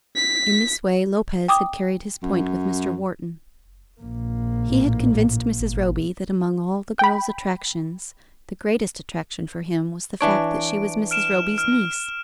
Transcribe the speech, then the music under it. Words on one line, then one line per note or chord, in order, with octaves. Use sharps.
In this way Lopez had carried his point with Mr. Wharton. He had convinced Mrs. Roby that among all the girl's attractions the greatest attraction for him was the fact that she was Mrs. Roby's niece.
B6
G5 D6 D#6
F#2
A#1 A#3
A2
G#1
G5 B5
E3 D4 C#5 D7
F6 D7 E7
F6